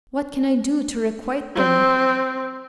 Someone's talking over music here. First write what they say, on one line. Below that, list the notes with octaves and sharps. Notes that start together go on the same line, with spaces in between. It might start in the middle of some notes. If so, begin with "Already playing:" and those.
What can I do to requite them?
C4